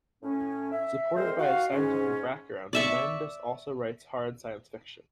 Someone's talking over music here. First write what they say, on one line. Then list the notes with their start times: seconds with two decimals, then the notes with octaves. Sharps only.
Supported by his scientific background Landis also writes hard science fiction.
0.23 A2 C#4
0.72 E5
1.17 D2 C3 G#3 C4 A#4 C5
1.39 D#3 F#4 F5
1.72 G#2 C#4
2.73 D5 E5 C#6